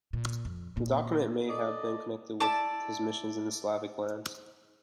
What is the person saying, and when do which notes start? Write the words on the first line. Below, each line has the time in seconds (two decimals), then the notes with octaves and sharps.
The document may have been connected with his missions in the Slavic lands.
0.13 A#2
0.45 F2
0.77 A#2
1.48 A4 D5 D#5
2.40 E4 D5 A5 D6